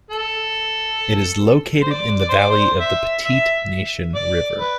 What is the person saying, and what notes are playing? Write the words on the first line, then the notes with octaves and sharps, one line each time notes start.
It is located in the valley of the Petite-Nation River.
A4
C5
D5
D5
C5
D5
C5
E5
E5
D5
B4